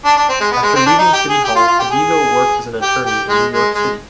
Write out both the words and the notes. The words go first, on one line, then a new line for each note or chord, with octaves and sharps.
After leaving City Hall, Badillo worked as an attorney in New York City.
D4
D4
C4
G#3
B3
G#3
C4
D4
D#4
G4
G#4
G4
F4
F4
G4
G#4
G4
G4
G#3
G#3
G#3